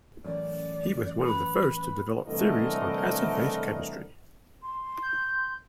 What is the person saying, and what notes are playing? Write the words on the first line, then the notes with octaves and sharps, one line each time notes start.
He was one of the first to develop theories on acid-base chemistry.
A1 F#2 D5
B4 B5
C2 D3 E3 A3 A#4 D#5
C6
G6